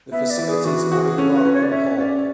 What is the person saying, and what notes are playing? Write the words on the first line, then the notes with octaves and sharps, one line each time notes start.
The facilities are in Markham Hall.
B3 E5
D5
E3
G#4
E3 F#4
F#4 G#4
C#4 A4
B4
C#4
C#5
D5
C#4 E5
C#4 D5